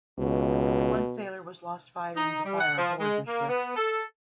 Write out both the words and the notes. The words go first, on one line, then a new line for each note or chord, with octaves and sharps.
One sailor was lost fighting the fire aboard the ship.
C#2 B2
D#4
G3
F#5
F3
G#3
A#3
B3
A4